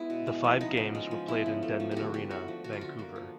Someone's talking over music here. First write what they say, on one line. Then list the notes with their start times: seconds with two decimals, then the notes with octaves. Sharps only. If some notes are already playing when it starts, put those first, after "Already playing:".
The five games were played in Denman Arena, Vancouver.
Already playing: G#3 B3 E4
0.10 B2
0.27 G#3
0.44 F3
0.61 B3 D#4
0.77 C#3
0.95 G#3
1.11 F3
1.28 B3 E4
1.46 C#3
1.63 A3
1.80 F3
1.91 G4
1.97 D3 F#4
2.14 D3 G4
2.30 A3 F#4
2.48 F3
2.64 D3 F#4
2.73 F4
2.81 D3 F#4
2.99 A#3 F#4
3.16 F3